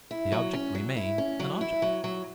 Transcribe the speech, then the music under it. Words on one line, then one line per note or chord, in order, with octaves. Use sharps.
The object remained an object.
E4
F#3
C#4
F#3
E4
C#4
F#3
E4
F#3
F#3